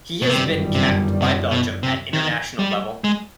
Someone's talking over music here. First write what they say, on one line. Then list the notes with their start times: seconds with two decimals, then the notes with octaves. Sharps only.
He has been capped by Belgium at international level.
0.22 B2
0.29 G1 F#2 C3 D#3 G3
0.75 C3
1.22 C3
1.51 B2
1.83 C3
2.13 D#3
2.59 G3
3.04 G#3